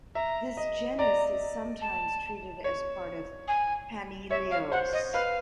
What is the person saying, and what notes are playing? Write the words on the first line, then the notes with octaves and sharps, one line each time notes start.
This genus is sometimes treated as part of "Panaeolus".
E5 A#5
D#5
D5 A#5
A5
C#5
G#5
C#5 E5
F5
C5 F#5
D#5
B4 F5